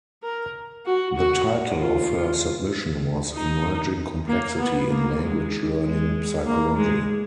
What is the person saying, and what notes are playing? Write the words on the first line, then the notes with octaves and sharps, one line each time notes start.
The title of her submission was "Emerging complexity in language learning psychology".
A#4
F#4
F#4
F4
D#4
A#3
B3
A#3
G#3
G#3
A#3
G#3